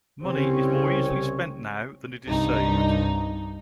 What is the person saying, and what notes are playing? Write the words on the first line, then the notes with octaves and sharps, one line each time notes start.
Money is more easily spent now than it is saved.
C2 C#3 C4 C#4 G4 C#5
C2 G2 D#4